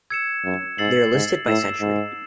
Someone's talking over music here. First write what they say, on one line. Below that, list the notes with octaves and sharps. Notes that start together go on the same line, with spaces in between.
They are listed by century.
E6 G#6 C#7 E7
F#2
G#2 E6 A6 C7 F#7
G#2
A2 E6 C7 E7
G#2